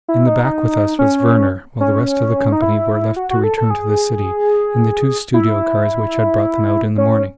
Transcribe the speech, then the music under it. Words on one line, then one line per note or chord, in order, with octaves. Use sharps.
In the back with us was Werner, while the rest of the company were left to return to the city in the two studio cars which had brought them out in the morning.
E4
D#4
D#4
C#4
C#4
D#4
E4
F#4
F#4
A4
A4
G#4
E4
C#4